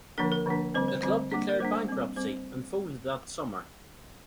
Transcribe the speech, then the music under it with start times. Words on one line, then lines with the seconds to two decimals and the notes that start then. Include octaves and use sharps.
The club declared bankruptcy and folded that summer.
0.18 D3 F3 A#3 D4 A#4
0.32 A#4
0.46 D3 F3 A#3 D4
0.74 D3 G3 C4 C5
0.88 C5
1.03 D3 G3 C4 C5
1.32 G3 A#3 D4
1.49 A#4
1.60 G3 A#3 D4 C5
1.89 G3 C4
2.16 G3 C4 C5